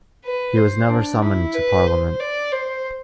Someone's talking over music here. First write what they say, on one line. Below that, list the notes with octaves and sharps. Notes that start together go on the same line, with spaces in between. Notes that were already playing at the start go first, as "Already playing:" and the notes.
He was never summoned to Parliament.
B4
C5
D4
E4
B4
C5
D5
C5